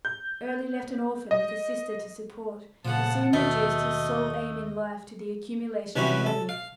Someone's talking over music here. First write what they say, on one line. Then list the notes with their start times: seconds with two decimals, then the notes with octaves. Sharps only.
Early left an orphan with a sister to support, he soon reduced his sole aim in life to the accumulation of money.
0.05 G6
1.31 D#5
2.85 A#2 C#3 F3 F#5 A5
3.33 D#2 B2 A3 D#5
5.96 C3 E3 G3 C4 C#4 F#4
6.26 A4
6.49 F5